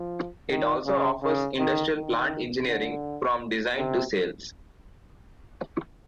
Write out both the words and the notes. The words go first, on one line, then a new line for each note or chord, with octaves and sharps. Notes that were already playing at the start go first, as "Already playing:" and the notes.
It also offers industrial plant engineering from design to sales.
Already playing: F3
D#3
C#3
C#3
D#3
D#3
D3
C3